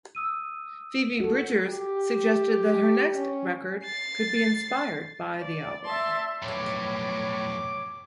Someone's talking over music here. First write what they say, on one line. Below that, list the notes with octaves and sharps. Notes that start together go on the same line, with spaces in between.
Phoebe Bridgers suggested that her next record could be inspired by the album.
D#6 E6 D#7
F#4 A4
G4
C#4
A6 C7
D5
E5 A5 C6
B1 F2 A2 C#5 D6